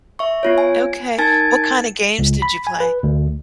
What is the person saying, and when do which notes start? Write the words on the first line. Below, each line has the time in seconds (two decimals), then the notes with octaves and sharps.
Okay. What kinda games did you play?
0.19 E5 C#6
0.43 B3 F4 C#5
0.58 G#5
1.18 D#4 A#4 G#5 A5 G#6 A6
2.19 C#2
2.42 B5
2.67 G#5
2.80 B4
3.03 D2